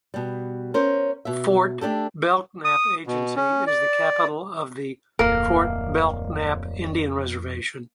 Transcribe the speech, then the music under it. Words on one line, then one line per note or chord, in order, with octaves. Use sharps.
Fort Belknap Agency is the capital of the Fort Belknap Indian Reservation.
B2 G3
C#4 A#4 C5
B2 E5
A3 D4 G4 A4
D#6
B2
C#4
D5
D1 F2 A#3 A#4